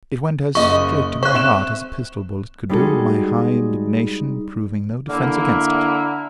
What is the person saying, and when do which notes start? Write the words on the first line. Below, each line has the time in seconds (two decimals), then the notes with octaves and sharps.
It went as straight to my heart as a pistol bullet could do, my high indignation proving no defence against it.
0.55 F#1 D#5 C#6
1.23 C5 C#6 F#6
1.34 C4 E5 E7
2.69 G3 G#3 D#4 F#4 G#4 A4
5.09 D3 A#3 E4